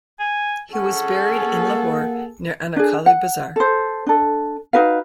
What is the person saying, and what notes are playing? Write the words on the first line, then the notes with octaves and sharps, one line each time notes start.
He was buried in Lahore near Anarkali Bazaar.
G#5
C#4 G#4 A4 F#5
A#3
D4 G#4
F#5
A4 C5
D4 A4
D#4 F#4 B4 F5